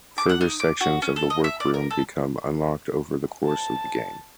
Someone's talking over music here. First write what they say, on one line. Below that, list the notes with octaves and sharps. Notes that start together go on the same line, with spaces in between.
Further sections of the workroom become unlocked over the course of the game.
D6
F#5
D#4
D6
F#4
C#4
A4
D#5
E5
D5
A#4
A4
A5